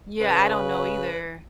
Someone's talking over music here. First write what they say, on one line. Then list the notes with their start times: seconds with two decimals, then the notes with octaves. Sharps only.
Yeah, I don't know either.
0.20 C#3 B4